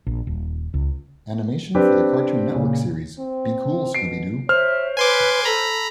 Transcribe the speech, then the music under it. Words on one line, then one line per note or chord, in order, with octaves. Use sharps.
Animation for the Cartoon Network series "Be Cool, Scooby-Doo!".
A#1
D#1
C#2
C4 D4 G4 B4
A#2 C#3
C4
B2 C7 D7
C5 C#5 E5 F6
B4 G#5 C6 D6
A4 A#5 B5